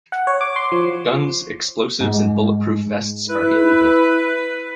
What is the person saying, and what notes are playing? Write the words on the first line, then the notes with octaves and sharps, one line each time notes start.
Guns, explosives and bulletproof vests are illegal.
F#5
C#5
D6
C6
F3
G#2 G#3
E4 B4